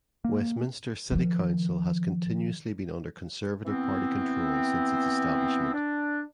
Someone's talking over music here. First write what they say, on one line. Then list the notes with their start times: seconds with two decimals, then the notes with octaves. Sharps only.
Westminster City Council has continuously been under Conservative Party control since its establishment.
0.25 A#3
1.11 D#3 F3
3.64 E3 B3 C4
5.73 D4